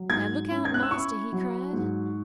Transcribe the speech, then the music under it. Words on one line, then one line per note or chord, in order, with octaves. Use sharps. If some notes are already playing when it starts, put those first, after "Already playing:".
"Now, look out, master!" he cried.
Already playing: F#3
G#2 G#6
C#4
G#6
F#6
E6
E4 C#6
F#3
G#2